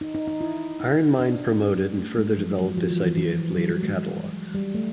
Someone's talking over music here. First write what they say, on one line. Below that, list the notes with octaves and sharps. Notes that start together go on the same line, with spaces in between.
IronMind promoted and further developed this idea in later catalogs.
D#4
D#4
D#4
E4
D#4
D4
C#4
A3
G#3
F3
F#3
F3
E3
E3
E3
F#3
G3
G#3
G3
A3